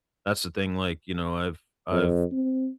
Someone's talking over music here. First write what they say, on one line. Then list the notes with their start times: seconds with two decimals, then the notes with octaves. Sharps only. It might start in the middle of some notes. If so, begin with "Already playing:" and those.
that's the thing, like, you know, I've I've
1.92 F2
2.32 C4